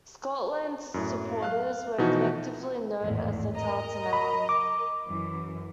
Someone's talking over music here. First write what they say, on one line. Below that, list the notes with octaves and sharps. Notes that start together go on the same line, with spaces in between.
Scotland supporters are collectively known as the Tartan Army.
F#2 A2
F5 F#6
B2 E3 F3 D#4 F#4
G#1 E2 A2
A#4 D#5 A#5
B5
D6
F#2 E3